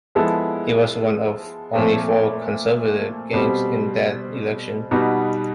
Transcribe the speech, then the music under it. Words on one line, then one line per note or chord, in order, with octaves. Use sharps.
His was one of only four Conservative gains in that election.
F3 G#3 B3 E4 A4
A#2 F3 A3 C4
B2 G3 C4
B2 G3 B3 D#4 F#4